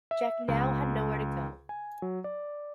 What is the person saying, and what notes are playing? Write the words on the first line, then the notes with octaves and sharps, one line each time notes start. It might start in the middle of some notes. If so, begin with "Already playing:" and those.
Jack now had nowhere to go.
E5
C#2
G#5
F#3
D5